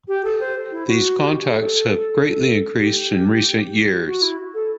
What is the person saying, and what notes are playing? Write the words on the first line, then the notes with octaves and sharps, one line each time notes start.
These contacts have greatly increased in recent years.
G4
A4
C5
E4
F#4
G4
A4
G4
F#4
E4
A4